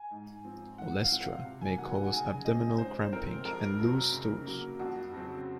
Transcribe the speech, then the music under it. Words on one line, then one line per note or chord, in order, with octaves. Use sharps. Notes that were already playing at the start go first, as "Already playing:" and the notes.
Olestra may cause abdominal cramping and loose stools.
Already playing: G#5
G#2
F3 C4
G#2 F#5
F5
F3 C4 F#5
C3
G#5
D#3 F#3 A#3 F#5
F#5
C#3 G#5
F3 C4 D#5
G#2 C5
C5
F3 C4 A#4
F2 A#4
C3 F#3 C4
C#3
F#3 A#3
F2 F#4
C#3 F#3 C4